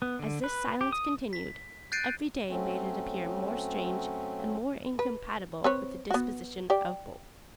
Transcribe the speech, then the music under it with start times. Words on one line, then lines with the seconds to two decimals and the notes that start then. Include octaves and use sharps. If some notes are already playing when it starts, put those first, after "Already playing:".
As this silence continued, every day made it appear more strange and more incompatible with the disposition of both.
0.02 B3
0.19 D3
0.44 B4
0.81 G4
0.92 D#6
1.33 B6
1.92 F#6 G6 A6 C7 D7 D#7
2.49 F#3 A3 C4 C#4
4.99 B4
5.64 C4 B4 C#5
6.11 B3 F#4
6.70 G4 D5